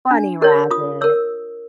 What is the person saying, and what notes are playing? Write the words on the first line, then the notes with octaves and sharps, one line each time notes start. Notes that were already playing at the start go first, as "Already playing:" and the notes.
bunny rabbits,
D4
G4 A#4 C#5
F4 D#6
A#4 C#5 E6